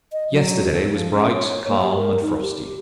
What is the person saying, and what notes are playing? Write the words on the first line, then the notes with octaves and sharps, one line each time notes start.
Yesterday was bright, calm, and frosty.
D#5
F#3
A4
F3
C#4
C#5
A#3
G4
A#4
D#4
G4